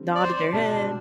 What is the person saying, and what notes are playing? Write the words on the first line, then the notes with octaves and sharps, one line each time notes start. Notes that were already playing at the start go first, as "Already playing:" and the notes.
Nodded their head.
Already playing: D3 G3 C4
D5
C5
B2 G3 B3 D4